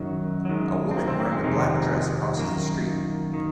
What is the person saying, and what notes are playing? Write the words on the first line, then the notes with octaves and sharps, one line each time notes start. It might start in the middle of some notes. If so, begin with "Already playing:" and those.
A woman wearing a black dress crosses the street.
Already playing: F#2 D#3 F#3
F#3
F#2 D#3 G#3
C4
A#3
C4
A#3
G#3
F2 C3 D#3 G#3
F#2 D#3 A#3
D#3